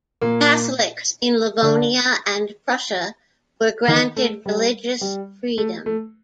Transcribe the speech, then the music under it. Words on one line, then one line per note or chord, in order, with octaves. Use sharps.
Catholics in Livonia and Prussia were granted religious freedom.
A#2 A#3
D3 D4
D#3 D#4
A3
G3
G3
A3
A3